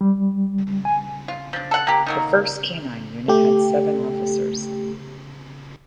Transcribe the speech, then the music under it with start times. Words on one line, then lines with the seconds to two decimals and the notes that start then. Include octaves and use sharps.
The first canine unit had seven officers.
0.01 G3
0.85 G#5
1.28 F4
1.53 F3 D4
1.71 A4 F#5
1.87 A#3 G4
2.07 D#3 F#3 A#3
3.28 A3 G4